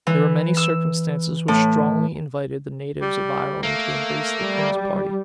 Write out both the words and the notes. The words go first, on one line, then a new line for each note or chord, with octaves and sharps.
There were many circumstances which strongly invited the natives of Ireland to embrace the king's party.
E3
E6
A2
G3
A3 A#3
G3